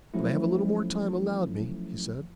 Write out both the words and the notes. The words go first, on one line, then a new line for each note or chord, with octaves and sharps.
'But I have a little more time allowed me,' he said.
F3 F#3 A3 C#4 E4